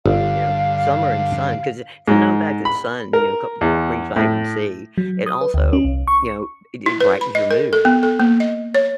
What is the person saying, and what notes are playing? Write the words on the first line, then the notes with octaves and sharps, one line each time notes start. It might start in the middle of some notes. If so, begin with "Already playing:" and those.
You know? Summer and sun, 'cause i it's a known fact that sun, you know, ca brings Vitamin C. And, also, you know, it it brightens your mood.
G1 G2 D3 F5
G#2
B5
A#4
E2
A2
F#3
D#6
B4
D2
C#4
C2
C#6
E4
B4
B5
D#5
A#4
A4
B3
A4
A#3
D#5
C#5